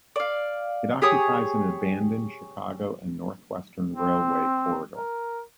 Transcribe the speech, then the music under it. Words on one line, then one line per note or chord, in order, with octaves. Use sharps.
It occupies an abandoned Chicago and North Western Railway corridor.
D5 F5
G4 G#4 C#5 D#6
C4
A#4